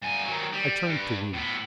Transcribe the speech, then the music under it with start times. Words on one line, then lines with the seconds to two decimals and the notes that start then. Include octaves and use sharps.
I turned to Weena.
0.02 G2 G#5
0.25 D#3 F#3
0.53 G3
0.87 G2
1.33 A2 B3